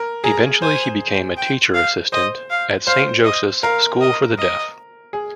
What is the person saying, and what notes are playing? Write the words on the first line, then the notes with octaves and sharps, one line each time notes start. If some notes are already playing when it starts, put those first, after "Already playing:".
Eventually, he became a Teacher Assistant at Saint Joseph's School for the Deaf.
Already playing: A#4
G#4 A#5
C5 G#5
G5
F5
C5 D#5
F5
C5 F5
D#5
A#4 F5
D#5
D#5
G#4